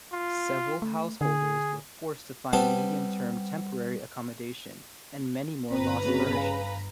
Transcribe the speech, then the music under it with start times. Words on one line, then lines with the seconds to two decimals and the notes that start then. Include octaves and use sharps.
Several householders were forced to find medium-term temporary accommodation, and many more lost furnishings.
0.12 F4
0.82 A3
1.21 D3 G#4
2.53 G3 B3 C4 A5
5.71 G1 C4 B4 A#5
6.05 C#3 A#3 C4 F#4
6.33 F5 G#5 B5